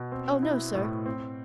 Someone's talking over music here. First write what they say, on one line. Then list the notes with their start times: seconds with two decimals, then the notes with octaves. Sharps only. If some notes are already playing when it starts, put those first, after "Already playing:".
Oh, no, sir!
Already playing: B2
0.12 C4
0.43 E4
0.75 A2
1.06 C4